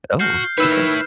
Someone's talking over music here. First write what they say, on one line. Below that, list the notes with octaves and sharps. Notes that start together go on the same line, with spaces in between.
Oh, okay.
F#4 F6 G6 C7
D#3 E4 B4 C#5 E6